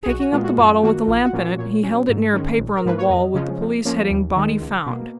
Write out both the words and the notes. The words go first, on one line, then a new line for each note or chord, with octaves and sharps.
Taking up the bottle with the lamp in it, he held it near a paper on the wall, with the police heading, BODY FOUND.
G#4
B1 F#4
F#4
A#2 G#3 B3 F4
F#4
F#2 F4
D#3 A#3 F#4
A#1 F4
F#4
A#2 F3 A#3 C#4
A#2 C#5
F#3 C#4
G#2
D#3 G#3 C#4
A#1
A#4
G#2 F3 A#3 B4
C#5
F2 D#5
C#3 F3 G#3 C#4
F2
F3 A#3 C#4
D#2
D#3 G#3
C#2
B2 A#3